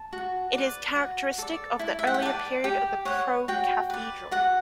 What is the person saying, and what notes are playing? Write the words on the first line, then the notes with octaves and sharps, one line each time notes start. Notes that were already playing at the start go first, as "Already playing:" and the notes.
It is characteristic of the earlier period of the Pro-Cathedral.
Already playing: A5
F#4
B4 D5
F#4
A4 D5
E4
E5
F#5
G5
B4 D5 A5
G4 G5
C#5 F#5
F#4 G5
B4 D5
F#4 F#5